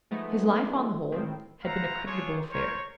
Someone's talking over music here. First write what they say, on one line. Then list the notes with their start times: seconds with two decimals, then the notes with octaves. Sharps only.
His life, on the whole, had been a creditable affair.
0.11 F3 G#3 A3 B3 D#4
1.12 A2 D#3 C4
1.64 E4 F4 C5 F5 F#5 A#5
2.06 D4 F4 G#4 C5 C#5
2.50 A#4 C5 C#5